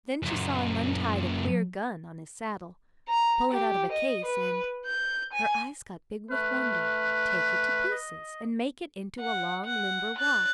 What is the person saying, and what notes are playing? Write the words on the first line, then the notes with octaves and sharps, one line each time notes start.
Then she saw him untie the queer "gun" on his saddle, pull it out of a case and--her eyes got big with wonder--take it to pieces and make it into a long limber rod.
F#2 A#2
A#5
G4
D#5
B4
G6
G#5
A3 B4 F6 F#6
D#5
F#5
F#5
F#6 A6